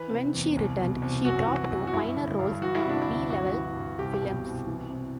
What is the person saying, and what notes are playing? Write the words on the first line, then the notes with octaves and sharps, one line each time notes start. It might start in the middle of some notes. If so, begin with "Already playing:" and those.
When she returned, she dropped to minor roles and "B"-level films.
Already playing: E3 B4
C3
E2
C2
B2
C2
F#2 F#4
E3
F#2
F#4
G2 E4
D3
G2
E3 F#4
E4
C3 D4
E4
D2
G2 F#4
E3
G2
C2 G4
B2
C2
E3
C3